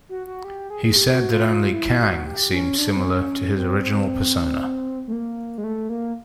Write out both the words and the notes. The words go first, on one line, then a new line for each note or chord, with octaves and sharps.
He said that only Kang seemed similar to his original persona.
F#4
F#4
G4
G#4
G#4
G4
F#4
F4
F4
E4
F#4
G4
C#4
D4
C4
C#4
C4
C4
A3
A#3
G#3
A3
A#3